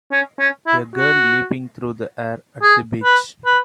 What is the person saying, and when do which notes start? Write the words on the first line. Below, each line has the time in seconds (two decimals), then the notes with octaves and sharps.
A girl leaping through the air at the beach.
0.12 C#4
0.40 C#4
0.67 E4
0.96 F#4
2.62 G#4
3.04 B4
3.46 B4